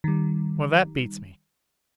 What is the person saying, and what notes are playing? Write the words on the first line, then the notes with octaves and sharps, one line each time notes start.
Well, that beats me.
D#3 G3